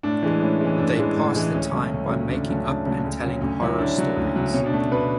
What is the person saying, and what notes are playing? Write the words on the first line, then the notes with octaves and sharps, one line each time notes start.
They pass the time by making up and telling horror stories.
A2 D4
E3 G#3
A2 C#4
E3 G#3
A2 D4
E3 G#3
A2
E3 G#3
D2 C#4
C#3 F#3 A3
D2
C#3 F#3 A3
D2 D4
C#3 F#3 A3 C#4
D2 D4
C#3 F#3 A3
D2
C#3 F#3
D2 C#4
C#3 F#3 E4
D2 D4
C#3 F#3
D2
C#3 F#3
B2 C#4
D4
A3
B2 B4